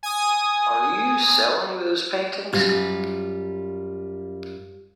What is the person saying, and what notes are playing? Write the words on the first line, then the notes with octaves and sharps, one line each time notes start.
Are you selling those paintings?
G#5 D#6
F#2 G3 F4